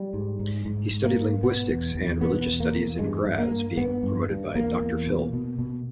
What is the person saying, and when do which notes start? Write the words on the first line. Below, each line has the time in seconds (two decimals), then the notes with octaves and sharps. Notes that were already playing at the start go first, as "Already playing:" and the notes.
He studied linguistics and religious studies in Graz, being promoted Doctor phil.
Already playing: G3
0.14 G#2
0.39 G#2
0.65 G#2
0.91 G#2
1.04 A#3
1.17 G#2
1.43 B2 B3
1.69 E2
1.95 E2
2.21 B2 B3
2.48 E2
2.60 A#3
2.73 E2
2.99 G2 G#3
3.25 G2
3.38 A#3
3.51 G2
3.77 G2 B3
4.03 G2
4.29 G2
4.55 E2 A#3
4.81 E2
5.07 B2
5.33 B2
5.59 B2